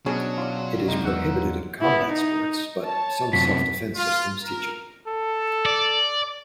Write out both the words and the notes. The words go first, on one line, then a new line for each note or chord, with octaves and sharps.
It is prohibited in combat sports, but some self-defense systems teach it.
B2 F#3 C#4 D4 G#4
F4 D5
F#2 C3 G#3 D#4
E2 F#5 E6
B3 E4
D#4
C#5 A5
F#2 C3 B6
F4
A#4
A4
D5